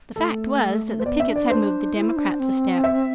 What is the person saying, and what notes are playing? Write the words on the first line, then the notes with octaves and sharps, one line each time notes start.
The fact was that the pickets had moved the Democrats a step.
A3 A4
C5
B3 D5
E5
D4
D5
C5
E4
D4
C4
E5